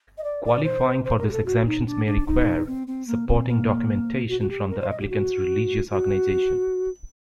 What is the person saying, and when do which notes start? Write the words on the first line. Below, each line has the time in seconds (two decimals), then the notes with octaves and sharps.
Qualifying for this exemption may require supporting documentation from the applicant's religious organization.
0.18 D#5
0.24 D5
0.45 D5
0.64 C5
1.05 C5
1.19 A#4
1.27 G4
1.32 A4
1.46 F#4
1.66 D#4
1.86 D4
2.06 D4
2.27 D#4
2.67 C4
2.87 C4
3.07 A#3
3.28 C4
3.48 A#3
4.29 F#4
4.40 F#4
4.49 G4
4.70 A#4
4.80 C5
4.90 D#5
5.00 G4
5.10 F#4
5.90 F#4